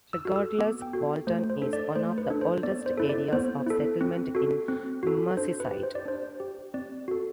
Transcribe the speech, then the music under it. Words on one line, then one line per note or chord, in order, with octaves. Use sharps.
Regardless, Walton is one of the oldest areas of settlement in Merseyside.
E6
F#4 A4
E6
B3 D6
G5
F#4 A4
A3 C5
C5
D4 A4
D5
A3 C5
B4
D4 A4
C5
B3 D5
C5
E4 A4
D5
B3 C5
E4 A4
C4
F#4 A4
C4
F#4 A4
D4 C5
B4
G4
C5
D5
D4 C5
G4
C4 D5
F#4 A4